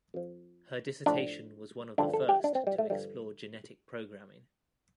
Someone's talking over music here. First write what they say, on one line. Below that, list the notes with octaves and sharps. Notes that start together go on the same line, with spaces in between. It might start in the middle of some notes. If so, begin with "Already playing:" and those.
Her dissertation was one of the first to explore genetic programming.
F2 F3
A2 F3 D4
G2 D3 F3 D4
A4
G4
D4
C4
G3
A3
G2 D3 F3 G3